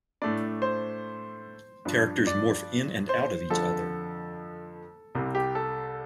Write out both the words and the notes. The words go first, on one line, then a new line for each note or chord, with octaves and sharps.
Characters morph in and out of each other.
A2 A3 D4 D5
C5
G2 F3 D4
D5
C5
F2 D3 F3 A4
C2 C3 G3
G4
A4